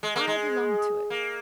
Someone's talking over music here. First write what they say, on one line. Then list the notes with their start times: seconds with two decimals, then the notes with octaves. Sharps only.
I belong to it.
0.03 G#3
0.16 A#3
0.27 G#3
1.10 A#3